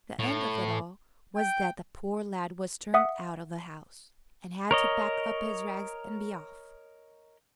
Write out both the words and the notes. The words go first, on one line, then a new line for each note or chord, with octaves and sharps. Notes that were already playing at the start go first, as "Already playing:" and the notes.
The end of it all was that the poor lad was turned out of the house, and had to pack up his rags and be off.
A2
G5
E5 F#5 D#6
A#4 C#5 D#5